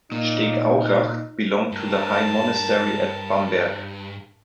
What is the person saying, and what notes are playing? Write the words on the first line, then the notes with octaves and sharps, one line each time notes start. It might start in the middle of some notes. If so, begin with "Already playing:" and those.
Stegaurach belonged to the High Monastery at Bamberg.
A#2 D#4
G2 A#4 A5